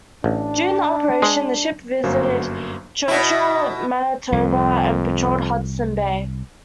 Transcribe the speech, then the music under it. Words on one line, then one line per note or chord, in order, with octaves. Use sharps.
During the operation, the ship visited Churchill, Manitoba and patrolled Hudson Bay.
A1 D4
G#3 G#4
G1 F#2 F#3 A#3 C5 F5
B2 E4
C2 F2